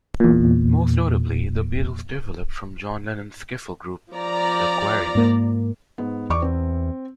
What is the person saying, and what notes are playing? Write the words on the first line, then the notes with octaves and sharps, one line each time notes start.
Most notably, the Beatles developed from John Lennon's skiffle group the Quarrymen.
E2 A#2
F3 D5 A#5
G#2 A#3
G#2 B3
E2 D5 C#6 D6
C4